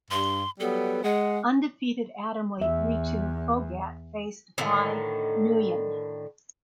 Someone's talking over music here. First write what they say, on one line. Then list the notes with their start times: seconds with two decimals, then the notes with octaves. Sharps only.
Undefeated atomweight Ritu Phogat faced Bi Nguyen.
0.11 G2 C6
0.60 F#3 G3 B3 A4
1.04 G#3 F#5
2.61 E2 E5
4.58 A2 D3 D#3